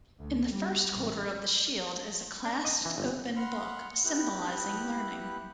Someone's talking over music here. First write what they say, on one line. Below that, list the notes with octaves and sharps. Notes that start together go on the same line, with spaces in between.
In the first quarter of the shield is a clasped open book, symbolising learning.
D2
G3
A1
D4
D#5
E3
G1
F#5 B5 C6 F6
B3 E4 G4 F#6